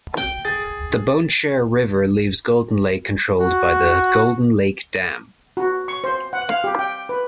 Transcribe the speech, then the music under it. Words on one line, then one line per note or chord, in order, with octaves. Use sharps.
The Bonnechere River leaves Golden Lake controlled by the Golden Lake Dam.
G5
G#4 A6
F#4
F#4
C#6
C5
F#5
F5
G4
G5
B4